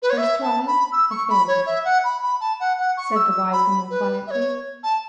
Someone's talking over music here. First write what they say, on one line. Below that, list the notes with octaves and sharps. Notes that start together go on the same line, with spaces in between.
"First trial a failure," said the wise woman quietly.
B4
C#5
E5
A5
B5
E6
C#6
B5
C#5
E5
F#5
B5
B5
A5
F#5
F#5
C#6
E6
B5
B4
E5
C#5
A5